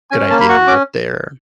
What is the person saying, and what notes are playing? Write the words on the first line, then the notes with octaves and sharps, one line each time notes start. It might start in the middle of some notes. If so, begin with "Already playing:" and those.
good idea on what they're
C#4 G#5
A#3 A5
B5
F#4 C#6
C#4 D6